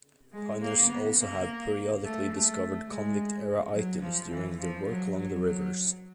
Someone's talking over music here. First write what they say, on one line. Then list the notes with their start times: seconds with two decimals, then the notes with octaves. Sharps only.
Piners also have periodically discovered convict era items during their work along the rivers.
0.33 G#3
0.61 A#3
0.89 B3
1.19 A#3
2.04 A3
2.32 A3
2.89 G#3
3.73 F#3
4.02 F3
4.31 E3
4.58 F3
4.87 F#3
5.16 F#3
5.45 F#3